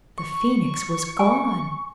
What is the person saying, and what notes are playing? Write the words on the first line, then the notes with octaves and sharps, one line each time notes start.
The Phoenix was gone.
C#6
G#5